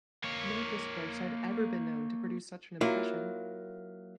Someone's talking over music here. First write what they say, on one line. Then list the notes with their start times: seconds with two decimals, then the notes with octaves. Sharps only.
No discourse had ever been known to produce such an impression.
0.24 A#3 C#5
2.81 F#3 A#3 E4 F4